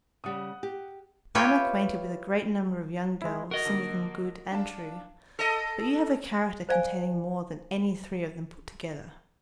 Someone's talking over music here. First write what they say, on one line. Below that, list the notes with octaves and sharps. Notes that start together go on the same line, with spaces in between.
I am acquainted with a great number of young girls, some of them good and true, but you have a character containing more than any three of them put together.
C#3 G3 F#5 D#6
G4
F4 G4 B4 C#5 E5 G5
G#3 E4
F#4 A#4 D#5
D3 A#3 D#4
D4 F5 A5
A4 D#5
C5 D5 F5 G#5